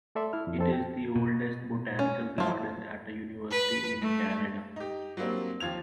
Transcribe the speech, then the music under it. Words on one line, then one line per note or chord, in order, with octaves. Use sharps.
It is the oldest botanical garden at a university in Canada.
A3 A4 D5 E5 C6
E4 F6
F2
F2 A4 C5
G5
B2
C#4
F3 F#3 A3 E4
B4
A3
D#4 G4
F#3 G3 A#3 C4 D4
D#2 F3 F4 G#6 F7